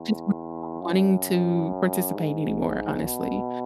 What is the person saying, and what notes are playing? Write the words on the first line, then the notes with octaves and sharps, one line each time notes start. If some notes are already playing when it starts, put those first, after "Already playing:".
just really not wanting to participate anymore, honestly.
Already playing: E2
F#2
G#2
B2